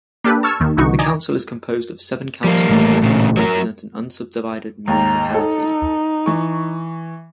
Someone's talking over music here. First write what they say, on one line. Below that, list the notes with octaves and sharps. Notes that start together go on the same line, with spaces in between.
The council is composed of seven councillors elected to represent an unsubdivided municipality.
A#3 D4 G4 A4 B4
A5 C#6 E6 F6 G#6
D#2 D#3
C2 D3 E3 D#4 F#4 C#6
D5 D#5 G#5 A#5 D6
F3 G3 A#3
A1 E3 A3
A#2 C#3
F#3 A#4
D#2 G#2 A#5
D#4 A4
E3 C#6